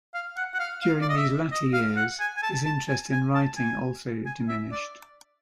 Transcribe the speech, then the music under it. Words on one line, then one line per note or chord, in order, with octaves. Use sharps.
During these latter years, his interest in writing also diminished.
F5
F#5
F#5
F5
F5
D5
D#5
E5
D#5
F5
F#5
G#5
G#5
A5
A5
G#5
G#5
A5
G#5
G#5
E5
D5